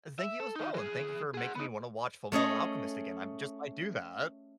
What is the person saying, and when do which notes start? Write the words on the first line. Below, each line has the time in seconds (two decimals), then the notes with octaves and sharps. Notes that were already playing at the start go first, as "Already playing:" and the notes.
Thank you as well and thank you for making me wanna watch Fullmetal Alchemist again, I just might do that.
0.19 E5
0.40 A4
0.56 D#3 D#4
0.74 E3 G#4
1.34 G#4 F#5
1.55 B3 D#4
2.32 A3 C#4 G#4 D#5